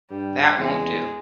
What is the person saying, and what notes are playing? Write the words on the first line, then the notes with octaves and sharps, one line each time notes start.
That won't do.
G2 G3
E2 G#3